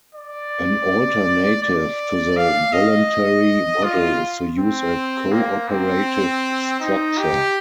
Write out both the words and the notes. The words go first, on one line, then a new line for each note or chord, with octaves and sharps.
An alternative to the voluntary model is to use a co-operative structure.
D5
D5
F5
D#5
F4
C4
A#3
C4
D#4
G4